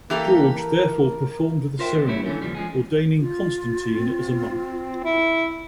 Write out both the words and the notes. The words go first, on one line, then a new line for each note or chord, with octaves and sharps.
George therefore performed the ceremony, ordaining Constantine as a monk.
E3 A#3 G4 A4
A#4
F4 A#4 C5 E5 F5 G5
D#3 B3
G3 A#3 C#4 E4 G4 C#5
D3 E3 F#3 A3 C#4
D#2 A#2 C#3 F3 G3
F3 G#3 G#4
F4
C4
E4